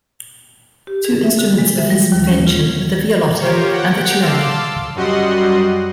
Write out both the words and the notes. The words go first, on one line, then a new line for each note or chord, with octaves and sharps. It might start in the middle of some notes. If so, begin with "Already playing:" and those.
Two instruments of his invention were the violotta and the cellone.
G4
G#4
E5
D3
G#3
E5
G3
D#2
C#4
F4
F4 G4 A#4 C5 C#5
F#5 G5
F5 A5 C6 D6 E6
F#2 G3 F#4 D#5 F#5 C6